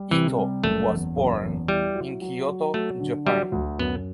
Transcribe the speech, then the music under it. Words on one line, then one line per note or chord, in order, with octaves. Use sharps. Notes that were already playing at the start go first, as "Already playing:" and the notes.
Ito was born in Kyoto, Japan.
Already playing: G3
C3 E3
G3
F#1 A3
E2
F#1
E2
G3 E4
F#3
F#3
F#3
F#3 A3
D3
F#3 G3
D2
F#2 B3